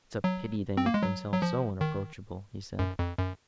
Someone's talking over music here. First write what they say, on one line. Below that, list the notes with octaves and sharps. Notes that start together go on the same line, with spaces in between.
"It's a pity they make themselves so unapproachable," he said.
F#3
C4
A#3
G#3
F#3
F#3
F3
D#3
F#2
F2
F#2